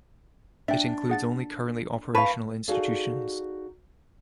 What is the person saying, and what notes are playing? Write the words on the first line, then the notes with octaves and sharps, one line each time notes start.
It includes only currently operational institutions.
D4 E5 G5
G#4 F#5 A6
B4 F5 A5 B5 C#6
D#4 F#4 G#4 A4 D5 F5